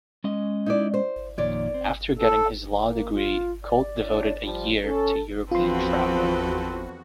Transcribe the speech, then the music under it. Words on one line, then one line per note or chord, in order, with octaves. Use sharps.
After getting his law degree, Colt devoted a year to European travel.
G#3 C#4 D#5
D#4 E4 D5
C5
F2 A#2 D#3 C#5 D5
C4
A4
A#3
F4
D5
D4 E4 C#5
F3 G3
C#4 A4
E2 F3 C4 F4 F#4 A4 B4 C6